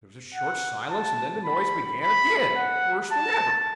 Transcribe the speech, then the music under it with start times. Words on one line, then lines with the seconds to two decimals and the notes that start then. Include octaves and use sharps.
There was a short silence, and then the noise began again, worse than ever.
0.35 F#5
0.91 A5
1.45 B5
2.01 B5
2.57 F#5
3.12 A5